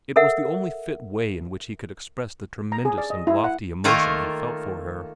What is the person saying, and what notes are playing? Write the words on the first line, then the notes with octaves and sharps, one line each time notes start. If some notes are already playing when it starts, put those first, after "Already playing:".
It was the only fit way in which he could express the tremendous and lofty emotion he felt for her.
A4 A#4 E5 F#5
A#5
G#4
D5
D#5
E4
F#5
D#3 A3 A#3 F4 A#4